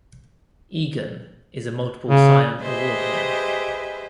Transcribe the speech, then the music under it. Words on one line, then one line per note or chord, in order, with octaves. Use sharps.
Egan is a multiple Seiun Award winner.
C#3
G4 G#4 B4 C5 D#5 E5